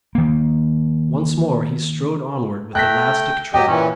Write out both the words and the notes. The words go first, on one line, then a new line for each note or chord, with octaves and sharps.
Once more he strode onward with elastic tread.
D#3 A#3
A3 G5 F#6 A#6 B6
F#3 G4 D#5 G5
A#2 E3 C#4